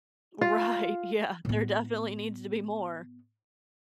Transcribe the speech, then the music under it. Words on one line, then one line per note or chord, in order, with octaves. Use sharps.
Right. Yeah. There definitely needs to be more.
F4
A2 B3